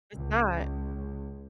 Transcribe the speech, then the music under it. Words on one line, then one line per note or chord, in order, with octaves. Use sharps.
it's not.
C#2